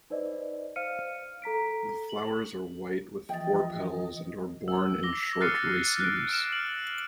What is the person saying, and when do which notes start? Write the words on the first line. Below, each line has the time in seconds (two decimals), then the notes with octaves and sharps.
The flowers are white with four petals and are borne in short racemes.
0.10 D#4 B4 C5 D5 D#5
0.76 C5 F5 F6 C#7 D#7
1.42 A4 A#5 B6 D7
2.09 F#7
3.29 E3 F3 D#5 G5 A6
4.68 E6
5.03 D6 A#6 G7
5.41 F6 F#6 A6 C7 C#7 D#7
6.00 F#6 D7
6.29 F6 D7 E7
6.53 F#7